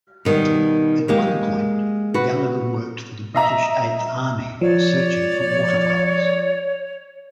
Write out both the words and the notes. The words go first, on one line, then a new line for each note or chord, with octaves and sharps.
At one point, Gallagher worked for the British Eighth Army searching for water wells.
B2 D#3 G3
G#3 A#3 G4
F#4 B4
D#5 E5 A#5
F3 C#5 D5